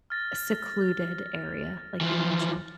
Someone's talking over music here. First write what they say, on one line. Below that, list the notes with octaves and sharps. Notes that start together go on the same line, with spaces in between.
secluded area like you mentioned.
F6 A6 A#6
E3 F3